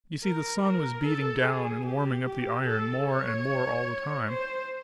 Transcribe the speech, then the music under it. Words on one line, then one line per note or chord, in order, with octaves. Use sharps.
You see, the sun was beating down and warming up the iron more and more all the time.
A#4
A#4
A4
G#4
G4
G4
A4
C#5
C5